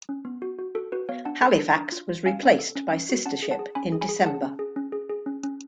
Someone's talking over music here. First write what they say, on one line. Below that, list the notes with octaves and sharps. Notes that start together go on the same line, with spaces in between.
"Halifax" was replaced by sister ship in December.
C#4
B3
F#4
F#4
F#4 A4
F#4 B4
B3 C#5 F5
D4 F#5 A5
A4
D4
D4
F4
F4
C#4 F5 G#5
C#4
A4
C#4
C#4
F#4
C#4 F#5 A5
G#4
F#5 A5
G#4
C#4 G#5 B5
G#4
G#5 B5
G#4
G#4 F#5 A5
C#4
G#4
C#4
G#4
G#4
C#4
C#4